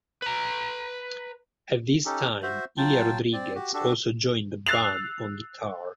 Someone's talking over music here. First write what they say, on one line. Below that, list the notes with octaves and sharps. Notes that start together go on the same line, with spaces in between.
At this time Ilia Rodriguez also joined the band on guitar.
B4 A#5
C#4 D#4 G4 A4
F#4 C5 E5
F#3 F4 G5 A5
C4 D5
F#4 G4
D4 F#4 G4 A4
E6 F#6 A6 C7 F7